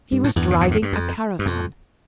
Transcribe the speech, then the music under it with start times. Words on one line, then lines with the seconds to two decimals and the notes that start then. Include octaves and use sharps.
He was driving a caravan.
0.12 G2
0.24 A2
0.36 E2 G2
0.51 C#3
0.61 A#2
0.71 A2
0.82 G2
0.93 F2
1.39 G2
1.46 F2